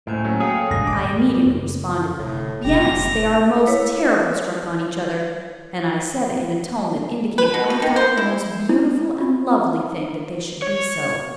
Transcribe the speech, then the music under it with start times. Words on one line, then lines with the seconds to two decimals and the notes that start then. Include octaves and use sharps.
I immediately responded, "Yes, they are most terrible struck on each other," and I said it in a tone that indicated I thought it a most beautiful and lovely thing that they should be so.
0.07 C#2 A2 A#3 C5 G#5
0.24 F#3 A3 C#4
0.40 G#4 A4 C#5 F5 G5 A#5
0.70 D#1 G#1 D#2 D3 G#3 D#5 D#6 A#6
0.87 D6
1.46 F#2 C#3 A#3
2.19 D1 D2 A2 C3
2.65 F#1 B2 G3 G4 A#6 F7
3.67 E4 B4 C#5 F5
7.38 B4
7.54 B2
7.70 F3
7.82 D#3
7.96 C5
8.17 E4
8.69 E4
9.21 F4
10.62 C#5